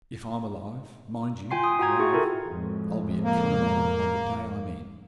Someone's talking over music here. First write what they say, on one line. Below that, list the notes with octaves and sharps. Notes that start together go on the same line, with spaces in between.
If I'm alive--mind you, alive--I'll be at Cunnamulla on the day I mean.
F4 G5 G#5 C6 C7
D#6
F4 F#4 G5 A#5 G#6
E4 F#4 G#4 C#6
E4 F4 A4 A#4
F2 A2 G#3
A#3